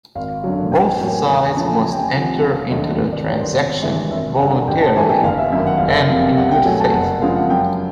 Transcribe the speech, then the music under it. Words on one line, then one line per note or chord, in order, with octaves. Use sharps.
Both sides must enter into the transaction "voluntarily" and in "good faith".
G#1 F5
F#2 D3 F#3
A1 G5
G#5
A2 F#3 A#3 G5
G#5
E2 G#5
C#3 F3 A3 A5
C2 G#5
G5
G#5
C3 F3 F#5
E1 F5
D#2 D3 F#3 A3 D#5
G#1
D5
G2 D#3 C#5
C5
G#1 C#5
G2 E3 G#3
G#1 E5
G2 D3 F#5
A1 G5
A5
G2 E3 A3 G#5
G5
G1 F5
E5
F#2 D#3 E5
F#5
F#1 F5
E5
F5
F2 C3
C2 F#5
G5
B2 F#3 A3 G#5
A5
F#1 F#5
F#5
F2 C#3 F3 G#3 F5
F#5
F#2 G5